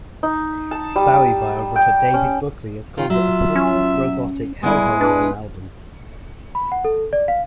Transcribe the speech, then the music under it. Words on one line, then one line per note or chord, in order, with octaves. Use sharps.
Bowie biographer David Buckley has called it "a funky, robotic Hellhole of an album".
D#4
A5
G3
G5
C#4
D#3 F4
F#3 F4 E5
C#4
G3 G#3 B3 E4
D4 B4
B5
F#5
A4
D5
F5